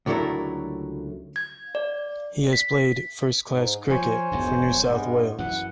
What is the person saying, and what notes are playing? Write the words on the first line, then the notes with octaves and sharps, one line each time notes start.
He has played first class cricket for New South Wales.
C#2 D3 F#3 A3 E4 A#4
G#6
D5
B6
G#2
F3 C5 C#5 G#5
E1 B1 G#2
G2 G#3 B3
F#2 E3 F#5